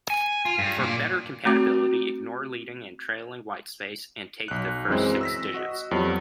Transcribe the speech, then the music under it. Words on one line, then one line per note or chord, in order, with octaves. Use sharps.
For better compatibility, ignore leading and trailing whitespace, and take the first six digits.
G#5
F4
G2
A#2 D5
A3 C4 F#4 D6
B1 F#6
F#2 E3 G#3 C4
E6 A#6 B6
F#4 D#5
F2 F#3 G3 B3